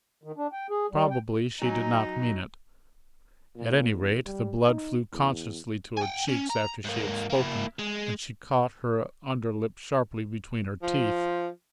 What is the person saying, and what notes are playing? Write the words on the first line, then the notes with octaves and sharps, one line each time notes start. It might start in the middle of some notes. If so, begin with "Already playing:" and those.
Probably she did not mean it; at any rate the blood flew consciously to her cheeks after she had spoken, and she caught her under lip sharply between her teeth.
D#3
D4
G5
G#4
G3
G5
F#3 D#4 G#5
A#2
E2
G3
D#4
E2
G5 G#5
C#4
A#5
G#2 A#3
A#3 E4
G#3
F3